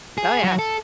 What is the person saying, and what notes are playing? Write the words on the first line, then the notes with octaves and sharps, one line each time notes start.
Oh, yeah.
G#4
F#3 F#4
A4